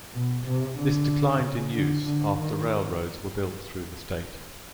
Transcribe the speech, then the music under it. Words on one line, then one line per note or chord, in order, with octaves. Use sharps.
This declined in use after railroads were built through the state.
B2
C3
D3
C#3
D3
D3
D#3